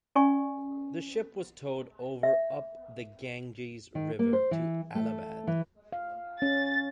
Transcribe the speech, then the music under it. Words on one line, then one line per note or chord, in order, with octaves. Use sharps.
The ship was towed over up the Ganges River to Allahabad.
C#4 D5 G#5 C#6
E5
D#3
A#3
C5
E3
A3
E3
F5
C#4 A6